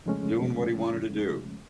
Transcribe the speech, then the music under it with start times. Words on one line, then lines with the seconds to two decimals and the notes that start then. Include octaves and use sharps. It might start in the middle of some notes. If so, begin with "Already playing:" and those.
Doing what he wanted to do.
0.06 F2 C#3 F3 G#3 A3 C#4